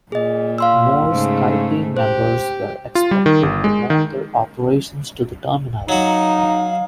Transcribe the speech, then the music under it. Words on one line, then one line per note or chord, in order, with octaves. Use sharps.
More SkyTeam members were expected to move their operations to the terminal.
A#2 G#4 D#5
F5 C6 E6
G#2 C#3 A3
G4 C5
F4
G3
D#3
G1
G#3
D#3
F#3 D#4 F#4 F5